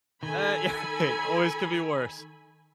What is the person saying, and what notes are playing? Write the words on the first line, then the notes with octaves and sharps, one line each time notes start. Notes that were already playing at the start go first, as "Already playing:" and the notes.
Uh, yeah. Hey, it always could be worse.
D#3 A4 G#5 B5